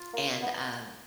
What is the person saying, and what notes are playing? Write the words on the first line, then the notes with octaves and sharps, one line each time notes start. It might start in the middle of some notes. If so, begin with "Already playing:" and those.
and, um,
Already playing: F4
A#3
B3